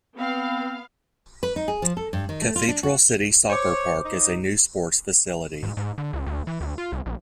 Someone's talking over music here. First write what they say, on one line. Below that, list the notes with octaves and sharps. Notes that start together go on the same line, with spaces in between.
Cathedral City Soccer Park is a new sports facility.
B3 C4 F5
B4
D#4
G#4
F3
A4
G2
D#3
A3
F4
D4
F#4
C5 C#5 D6
D#4
G#2
G#2
D3
C#2
D2
E3
D2
F4
C2
A#1